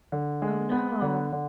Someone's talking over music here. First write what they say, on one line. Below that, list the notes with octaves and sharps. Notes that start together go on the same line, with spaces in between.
Oh no.
D3
G#3
B3
D3
D3